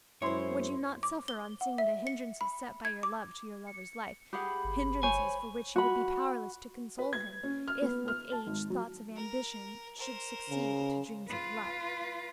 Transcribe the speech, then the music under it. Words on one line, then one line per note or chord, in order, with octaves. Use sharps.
Would you not-suffer on seeing the hindrances set by your love to your lover's life, hindrances for which you would be powerless to console him, if, with age, thoughts of ambition should succeed to dreams of love?
F#2 G#3 E4 C5 C#5 C6
D6
G7
F#5
E5
C#7
B5
G#6
D6
C#7
G4 G#4 F#5 B5
G1
C5 C#5 G#5
F#4 B5
B4
G#6
C#4
F6
B3
F6
A5
G#1
F#3
A#4
A#4 C5
C#3
F4 B4